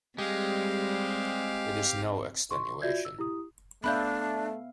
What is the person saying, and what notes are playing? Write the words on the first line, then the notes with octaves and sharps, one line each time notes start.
It is no extenuation.
G3 G#3 C4 G4 F5
C6 C#6
F4 F#4 D5 E5 G6 G#6
E6
E4 G4 D#6
A3 B3 D4 E5 F5 B5 F#6 G6